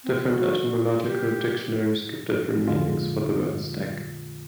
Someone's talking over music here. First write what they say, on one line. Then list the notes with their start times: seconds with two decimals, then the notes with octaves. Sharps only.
Different etymological dictionaries give different meanings for the word stack.
0.04 C4
0.29 F#4
1.07 G4
2.68 F2 A#2 D3 G#3 F4